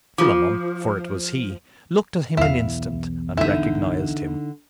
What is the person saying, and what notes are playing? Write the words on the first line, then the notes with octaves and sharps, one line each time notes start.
Philammon, for it was he, looked at him an instant, and recognised him.
F3 F4 D6
B1 E2 E4 F5
D3 D#4 E4 E5